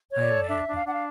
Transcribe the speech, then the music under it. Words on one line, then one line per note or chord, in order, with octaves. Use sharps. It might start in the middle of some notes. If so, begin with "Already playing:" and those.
I am happy.
C#5
D5
A4
D4 E5
D4
F5
D4 F#5
F5